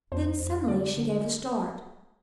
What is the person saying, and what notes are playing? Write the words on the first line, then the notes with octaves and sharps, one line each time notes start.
Then suddenly she gave a start.
F2 C5
F2
D3 D5
D3